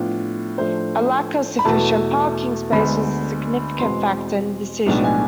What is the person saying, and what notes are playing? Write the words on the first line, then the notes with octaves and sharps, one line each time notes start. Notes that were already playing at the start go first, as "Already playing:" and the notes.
A lack of sufficient parking space was a significant factor in the decision.
Already playing: A2 F3 B3 D4 F4
A2 F3 A3 D4 C5
B5
E2 B2 A3 E4 A5
D2 D3 G#3 B3 B5
E2 B2 G#3 C4 C6
B1 A2 G#3 B3 D4
G#5